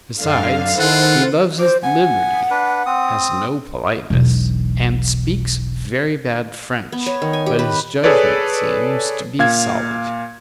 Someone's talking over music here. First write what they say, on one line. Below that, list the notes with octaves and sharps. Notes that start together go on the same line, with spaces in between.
Besides, he loves his liberty, has no politeness, and speaks very bad French; but his judgment seems to be solid.
F#2 D3 F5
D#3 E4 F4 A4 C5 F#5
C5 D6
F#5 G#5
D4 B4
C4 D#6
E1 B1
B3
C#5
D#3
G#5
G4
B4
G#4 A4 B4 C#5 D5
A#2 F5 G#6